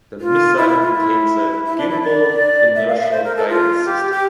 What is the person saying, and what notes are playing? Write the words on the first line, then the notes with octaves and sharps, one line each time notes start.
The missile retains a gimballed inertial guidance system.
F4
E4
E4
F4
E4
E4
D4
E4
D5
E5
F5
E5
C5
A#4
A4
F4
G4
G4